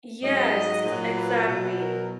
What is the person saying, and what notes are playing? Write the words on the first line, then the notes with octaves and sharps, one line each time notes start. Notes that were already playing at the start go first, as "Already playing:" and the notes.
Yes, exactly.
G#2 F#3 D#5
A#2 F#3
B4
B2 F#3
A#4